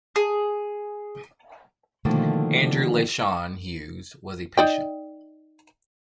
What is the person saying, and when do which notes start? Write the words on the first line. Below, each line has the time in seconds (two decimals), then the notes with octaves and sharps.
Andrew Leyshon-Hughes was a patient.
0.16 G#4
2.05 B2 D3 D#3 F3 A3 A#3
4.57 D#4 D5 G5